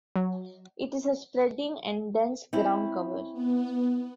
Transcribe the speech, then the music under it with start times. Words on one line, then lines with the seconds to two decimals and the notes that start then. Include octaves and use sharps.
It is a spreading and dense ground cover.
0.16 F#3
2.53 C4 C#4 E4
3.33 B3